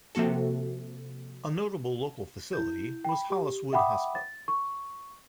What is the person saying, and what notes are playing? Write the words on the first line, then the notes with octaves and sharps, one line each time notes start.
A notable local facility was Holliswood Hospital.
C3 F3 A#3 F#4 A4
E4 G6
G5 B5
G4
E5 F#5 G5 B5 D6 D#6
A6
C#6